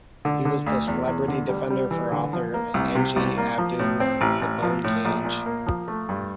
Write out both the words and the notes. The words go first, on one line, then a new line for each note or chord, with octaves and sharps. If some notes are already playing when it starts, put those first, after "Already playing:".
He was the celebrity defender for author Angie Abdou's "The Bone Cage".
D3
D3
D2
E2
E2
D3
G3
G3
E3
D3
F3
A#3
C2
C3
C2
A#3
F3
A2
C4
A1
A1
F3
A2
A#1
A#2
A#3
F3
A3
G2